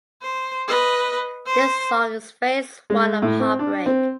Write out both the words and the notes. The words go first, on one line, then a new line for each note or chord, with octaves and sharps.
This song is phase one of heartbreak.
C5
B4 D#5
C5
G#3
A2
C4
D4
C4